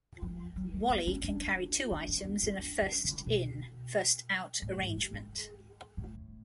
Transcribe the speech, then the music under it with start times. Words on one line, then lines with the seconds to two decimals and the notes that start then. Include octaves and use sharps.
Wally can carry two items in a first in, first out arrangement.
0.22 F3
0.56 F#3
0.73 A3
0.90 B3
1.07 C#4
1.24 D4
1.91 D4
2.08 C#4
2.25 B3
2.43 C#4
2.58 D4
2.82 C#4
3.04 D3
3.26 B2
4.62 A2
4.78 G#2
4.96 F#2
5.13 G#2
5.97 A2